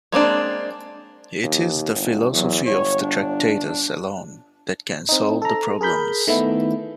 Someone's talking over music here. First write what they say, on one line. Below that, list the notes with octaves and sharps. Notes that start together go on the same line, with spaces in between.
It is the philosophy of the Tractatus, alone, that can solve the problems.
G#3 A#3 C4 D4
D#2
G1
E2 F#3
G1 C#5
D4
C4 D#4
A4 A#5
G#4 A#4 B5 G6
D#3 A3 B3 E4